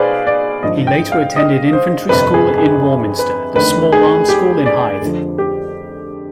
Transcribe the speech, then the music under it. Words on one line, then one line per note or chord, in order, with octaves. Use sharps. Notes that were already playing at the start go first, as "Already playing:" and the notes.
He later attended Infantry School in Warminster, the Small Arms School in Hythe.
Already playing: B1 B2 G#4 B4 C5 D5 F5
D5
G#1 G2 F3 D#5
G5
F5
D#5
C5
G1 F2 C3 B4
G#4
G#4
G#4
B4
F1 D#2 D3 B4
G#4
G4
D5
F2 D3 F3
G4